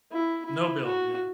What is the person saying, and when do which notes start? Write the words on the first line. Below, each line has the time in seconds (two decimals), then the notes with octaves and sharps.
No build, yeah.
0.12 E4
0.46 E4
0.84 F#4